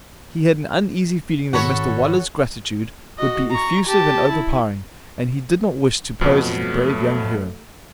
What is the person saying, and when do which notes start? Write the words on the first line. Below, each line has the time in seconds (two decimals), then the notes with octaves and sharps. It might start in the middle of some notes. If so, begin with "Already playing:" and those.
He had an uneasy feeling that Mr Waller's gratitude would be effusive and overpowering, and he did not wish to pose as the brave young hero.
1.53 G#1 F#4 A4 C#5 B5
3.19 F#4 D#5
3.51 A#5 C#6
3.87 G4 A5
4.30 E4
6.21 F2 B2 F#3 A3